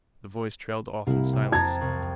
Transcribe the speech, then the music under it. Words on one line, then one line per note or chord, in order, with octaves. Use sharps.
The voice trailed off in silence.
C2 A#3 E4
C3
F2 A5 A#5 G#6
C2